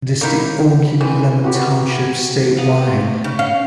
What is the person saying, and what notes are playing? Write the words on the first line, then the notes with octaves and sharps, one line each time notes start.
It is the only Lemon Township statewide.
A#3 D#4 E4
E3 G#3
F#4 G4 B4
B3 F5
A3
C#3
C#4 F5